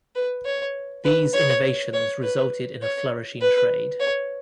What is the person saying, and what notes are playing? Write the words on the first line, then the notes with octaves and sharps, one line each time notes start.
These innovations resulted in a flourishing trade.
B4
C#5
B4
C#5
C#5
B4
C#5
B4
C#5